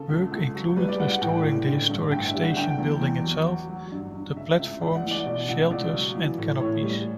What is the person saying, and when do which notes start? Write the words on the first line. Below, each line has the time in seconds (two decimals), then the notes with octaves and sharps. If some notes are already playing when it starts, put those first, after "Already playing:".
Work included restoring the historic station building itself, the platforms, shelters, and canopies.
Already playing: C#3 A4
0.09 C#2
0.32 C#2
0.55 F#3
0.76 G3 B4
0.89 D5
0.99 G3 F#5
1.10 F#5
1.22 A2 G5
1.44 A2
1.66 D3
1.90 G2
2.11 G2 G5
2.27 E5
2.34 G3
2.42 F#5
2.57 D3 G5
2.78 E2
3.01 E2
3.23 F#3
3.46 F#3 F#5
3.69 F#3
3.92 G2
4.13 G2
4.36 C#3 E5
4.58 C#2 E5
4.81 C#2 D5
4.95 F#5
5.03 E3
5.11 D5
5.26 B2 D5
5.48 C#2 F#5
5.71 C#2 D5
5.93 F#3
6.15 E3
6.38 A2
6.60 A2 C#5
6.82 G3